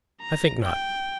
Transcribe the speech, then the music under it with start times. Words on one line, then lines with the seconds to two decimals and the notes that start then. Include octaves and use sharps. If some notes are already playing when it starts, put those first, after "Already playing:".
I think not.
0.21 A#5
0.63 G5